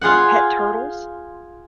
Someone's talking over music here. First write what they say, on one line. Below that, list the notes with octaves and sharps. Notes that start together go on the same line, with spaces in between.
pet turtles
F4 G#4 C5 F#5